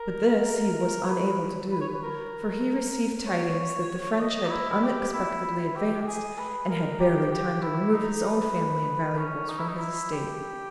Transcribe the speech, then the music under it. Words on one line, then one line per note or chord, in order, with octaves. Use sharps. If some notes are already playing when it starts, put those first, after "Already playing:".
But this he was unable to do, for he received tidings that the French had unexpectedly advanced, and had barely time to remove his own family and valuables from his estate.
Already playing: A#4
C#5
B4
B4
C#5
B4
A#4
C#5
D#5
D#4
E4
E4
G4
E4
E4
G4
G4
G#4
B4
A#4
G4
G4
E4
D#4
B4
C#4
D#4
E4
D#4
E4
G4